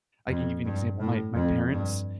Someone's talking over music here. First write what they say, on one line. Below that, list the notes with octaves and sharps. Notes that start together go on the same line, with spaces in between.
I can give you an example, my my parents,
F2
G2
A2
F2
G2